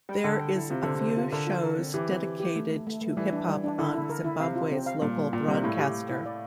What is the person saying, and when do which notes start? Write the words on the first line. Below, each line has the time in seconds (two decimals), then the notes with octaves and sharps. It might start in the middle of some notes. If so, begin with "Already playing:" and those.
There is a few shows dedicated to Hip-Hop on Zimbabwe's local broadcaster.
0.09 G3 G5
0.24 D3 G5
0.39 G5
0.55 E4
0.70 C3 F4
0.83 D3 C5
0.95 C3
1.01 C5
1.17 F4
1.32 D3 A#4
1.47 F4
1.63 A#4
1.79 C4
1.94 E3 G4
2.09 C4
2.25 G4
2.40 G4
2.56 A3
2.71 A3
2.87 A3
3.02 A3
3.17 E3 G3
3.32 D4
3.48 G3
3.64 D4
3.79 D3 E4
3.94 E4
4.10 A#4
4.24 E4
4.40 C3 F5
4.56 F4
4.72 C4
4.86 F5
5.01 A#2 G3
5.17 G3
5.33 A#2 F4
5.48 C3 G3
5.63 A2 E4
5.79 G4
5.95 A3
6.10 E4
6.26 D5